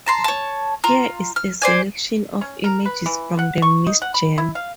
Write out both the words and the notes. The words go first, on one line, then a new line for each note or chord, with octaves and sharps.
Here is a selection of images from the Ms. Germ.
A5 A#5 C6
C#5 A5
F4 A#5
F6
C5 D5 G#5
C#4
A#4
B4
E3
F#5
C#6
D#4
F#5
B5
E4
F5